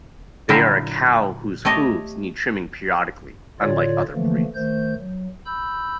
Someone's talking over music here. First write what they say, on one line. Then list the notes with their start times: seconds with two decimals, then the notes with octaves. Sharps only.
They are a cow whose hooves need trimming periodically, unlike other breeds.
0.49 A#2 D3 F#3 E4 A#4 G5
1.65 A3 G4 A4 C#5 D#5
3.60 A2 D3 F4 C#5 D5
4.14 D3 E3 F3 A3 A#3
4.55 D#3 A3 C5 G6
4.99 F#3
5.46 B5 E6 G6